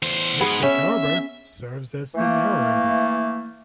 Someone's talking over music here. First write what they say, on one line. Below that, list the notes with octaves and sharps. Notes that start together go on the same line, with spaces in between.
Victor Garber serves as the narrator.
E2 C5
G#2 B3 G#4
C#4 E5
E3 A3 A#3